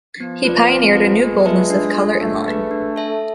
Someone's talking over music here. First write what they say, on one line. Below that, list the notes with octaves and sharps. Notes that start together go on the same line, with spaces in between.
He pioneered a new boldness of color and line.
F3 B3
F4 B4 D5
C4
F4 B4
G#3 B3
F4 B4 E5 A5
D4
F4 A4
A3 D4
G#4 B4
D4
A4 E5 A5